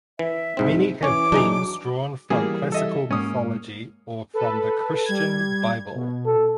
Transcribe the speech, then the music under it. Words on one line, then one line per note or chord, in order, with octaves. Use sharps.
Many have themes drawn from classical mythology or from the Christian bible.
E3 E5
C2 G#2 C4 D#4
E3 C#4 C#5 D6
F#3 D4 D#4 G#4
E3 G3 A#3 G4 G#4
A4 D#5 E5
G#2 A#3 C#4 D#6
A4 B4
G3 G#6
B2
A4